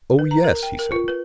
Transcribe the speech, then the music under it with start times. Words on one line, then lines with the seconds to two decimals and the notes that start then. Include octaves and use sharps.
"Oh, yes!" he said.
0.19 B4
0.31 A#5
0.44 A#4
0.63 G5
0.79 A#4
0.92 F4
1.08 B4